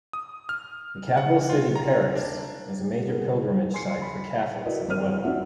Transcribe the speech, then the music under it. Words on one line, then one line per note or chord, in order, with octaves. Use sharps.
The capital city, Paris, is a major pilgrimage site for Catholics as well.
D#6
F6
F#5
F4
A#5
D4
B3 G#4 A#4
G#5 C6 C7 C#7
B5
E4 F#4 A#4 B4 D5 D#5
G#1 G2 A#4 C5 F6 D#7
C4 D#4 F#4 D5 E5 F#5